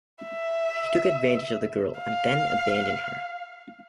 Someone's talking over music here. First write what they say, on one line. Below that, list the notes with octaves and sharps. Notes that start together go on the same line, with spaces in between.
He took advantage of the girl and then abandoned her!
E5
F5